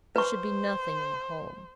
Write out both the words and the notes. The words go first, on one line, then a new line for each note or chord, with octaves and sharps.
There should be nothing in the home.
B4 C5 C#6